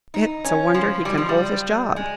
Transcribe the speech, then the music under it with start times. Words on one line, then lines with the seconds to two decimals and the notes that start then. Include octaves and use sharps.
"It's a wonder he can hold his job."
0.14 D#4
0.45 C#4
0.74 F3
1.05 G3
1.17 F3
1.29 G3
1.96 G#3